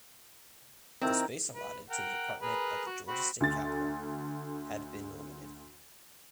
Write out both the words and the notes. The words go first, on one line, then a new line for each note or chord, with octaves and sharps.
The space allotted to the department at the Georgia State Capitol had been limited.
D#3 C4 E4 A#4
B4
A#4 F#5 G5
G#4 A#4 B4
F#4
C4 F#4 B5
D2 D3 A6